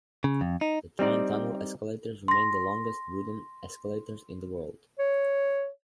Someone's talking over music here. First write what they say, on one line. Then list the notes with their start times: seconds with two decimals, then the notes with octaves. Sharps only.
The Tyne Tunnel escalators remain the longest wooden escalators in the world.
0.24 C#3
0.41 F2
0.61 D#4
0.99 G3 C4 D#4 D5
2.28 C6 A#6
4.99 C#5